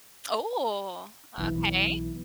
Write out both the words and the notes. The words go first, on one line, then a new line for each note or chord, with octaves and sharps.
Ooh, okay.
B1 E3